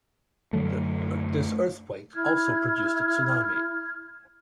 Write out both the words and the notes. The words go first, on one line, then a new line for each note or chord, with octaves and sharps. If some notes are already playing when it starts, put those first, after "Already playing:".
This earthquake also produced a tsunami.
F#2 D3 F#3 A3
E4 F6 G#6